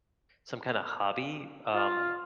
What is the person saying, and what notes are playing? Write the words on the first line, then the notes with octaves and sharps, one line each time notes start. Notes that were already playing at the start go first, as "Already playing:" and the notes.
some kind of hobby, um,
F4